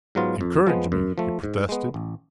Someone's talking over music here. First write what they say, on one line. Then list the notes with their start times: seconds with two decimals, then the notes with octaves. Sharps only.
"Encouraged me!" he protested.
0.15 G#2 F#3 B3 F4
0.41 F2
0.67 F3 G#3 B3
0.92 F#2
1.18 F3 A3
1.44 G#2
1.69 G#3 B3
1.94 A1